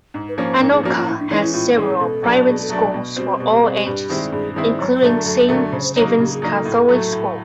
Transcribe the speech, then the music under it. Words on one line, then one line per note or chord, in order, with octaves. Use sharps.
Anoka has several private schools for all ages, including St. Stephens Catholic School.
G#2
B4
F3 A#3 C#4 C5
G#2 A#4
G#4
F3 A#3 C#4 F#4
F4
A2 E4
D4
E3 G#3 C#4 D#4
E4
A2 F4
E3 G#3 C#4 G#4
B2 A4
F#3 A3 D4
B2 G#4
A4
F#3 A3 D4
A4
B2
G3 C4 F#4
B2 G4
G4
G3 C4 G#4
G4
G2 G4
D#3 G#3 C4 E4
G2 G#4
D#3 G#3 C4 E4 C5
F#2 C#5
C#5
C5
D3 F#3 A3
A#4
F#2 A4
D3 F#3 A3 A#4
C#3 C5
C#5
C5
F#3 A#3 D#4 C#5
G4
C#3 G4
G#4
F#3 A#3 D#4
A4
A2
F#3 A3
A2